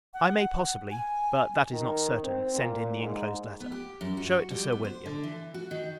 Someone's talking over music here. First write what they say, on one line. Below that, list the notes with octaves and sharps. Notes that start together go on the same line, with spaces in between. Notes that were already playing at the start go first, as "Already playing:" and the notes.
I may possibly, but that is not certain, send in the inclosed letter. Shew it to Sir William.
F#5
G#5
D#3
C4
A#2
G#2
B3
G4
F#2
F#4
G3
B3
C5
D3
E3
F#4
D#3